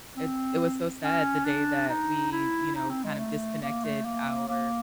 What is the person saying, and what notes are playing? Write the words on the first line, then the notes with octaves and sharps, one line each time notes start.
it it was so sad the day that we, you know, kind of disconnected our
C4
C#4
D4
D#4
E4
D#4
C4
G#3
A3
A#3
A3
A#3
A#3